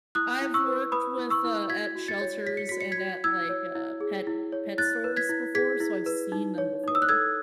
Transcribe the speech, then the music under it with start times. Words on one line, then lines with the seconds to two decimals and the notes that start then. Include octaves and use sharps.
I've worked with, uh, at shelters and at, like, uh, pet pet stores before, so I've seen them before.
0.15 E4 D#6 F#6
0.41 E4
0.54 C#6 E6
0.67 B4
0.92 B4 B5 D#6
1.18 E4
1.30 C#6 E6
1.44 E4
1.69 F#4 G#6 B6
1.95 F#4
2.08 A6 C#7
2.21 C#5
2.47 C#5 B6
2.57 C#7
2.69 F#4 B6
2.81 C#7
2.92 G#6 B6
2.98 F#4
3.24 E4 E6 G#6
3.49 C#5
3.75 E4
4.01 G#4
4.27 E4
4.52 C#5
4.78 E4 F#6 A6
5.04 B4
5.17 G#6 B6
5.29 E4
5.55 G#4 G#6 B6
5.80 E4
6.06 B4
6.32 D#4
6.58 C#5
6.84 D#4 D#6
6.95 E6
7.02 F#6
7.09 A4 E6 G#6